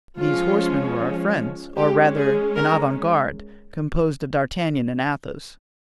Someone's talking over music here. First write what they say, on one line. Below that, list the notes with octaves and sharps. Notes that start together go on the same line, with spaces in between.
These horsemen were our friends, or rather, an avant garde, composed of D'Artagnan and Athos.
F3 G#3 C#4 F4
G#3 C#4 G4
G#4
A#4